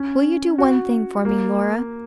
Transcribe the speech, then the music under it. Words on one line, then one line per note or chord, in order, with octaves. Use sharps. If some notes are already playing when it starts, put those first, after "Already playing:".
'Will you do one thing for me, Laura?
Already playing: C#4
F#4
A#3